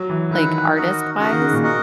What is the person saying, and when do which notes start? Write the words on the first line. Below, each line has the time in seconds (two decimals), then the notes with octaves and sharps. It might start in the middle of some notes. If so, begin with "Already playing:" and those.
Like, artist-wise?
Already playing: F#3
0.09 E3
0.31 D#3 E4 B4 F#5
0.75 F#4 A#4 D#5 F#5
1.19 C#3 F#4 A#4 D#5 F#5
1.30 D#3
1.41 C#3
1.53 A#2
1.64 F#4 A#4 D#5 F#5